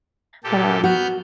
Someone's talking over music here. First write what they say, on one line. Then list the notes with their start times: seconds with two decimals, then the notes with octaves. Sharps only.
but, um,
0.44 A#2 G4 A4
0.83 B3 F#4 F6 G6